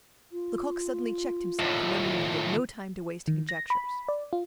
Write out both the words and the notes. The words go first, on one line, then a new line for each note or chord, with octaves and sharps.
Lecoq suddenly checked himself, remembering that he had no time to waste in conjectures.
F4
D#2 A2
D#3
A#6
B5
D5
F4